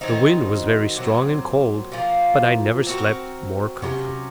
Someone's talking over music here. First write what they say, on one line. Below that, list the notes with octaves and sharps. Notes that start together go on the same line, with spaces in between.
The wind was very strong and cold, but I never slept more comfortably.
D#3 F#3 C4 D#4
A#2 F#3 C4
A#2 F3 A#3
C4 F#4 A#4
C3 F#3 A#3 C#4